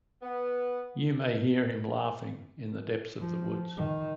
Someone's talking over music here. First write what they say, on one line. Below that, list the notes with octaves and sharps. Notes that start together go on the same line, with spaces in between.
You may hear him laughing in the depths of the woods.
B3
F3
D#3